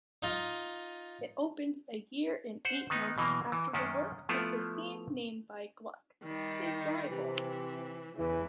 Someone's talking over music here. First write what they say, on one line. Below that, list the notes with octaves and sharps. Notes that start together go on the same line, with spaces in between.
It opens a year and eight months after the work of the same name by Gluck, his rival.
D#4 F4 D#6
C5 F#5
D#3 B3 D#4
B2 E3 F#3 A#3
E3
F#2 D#3 C#4 D4
F3 A3 B3 E4 F4
D#3 G3
C3 E3
E2 C#3 E3